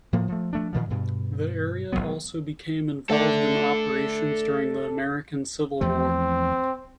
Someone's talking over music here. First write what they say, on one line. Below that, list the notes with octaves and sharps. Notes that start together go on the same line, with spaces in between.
The area also became involved in operations during the American Civil War.
A2 F3 A#3
F3 A3
F3 A3 D4
A#2 D#3 F3
G2 B2
E1 E2 F#3 B3
A3 A4 D5
E2 F3 A3 C4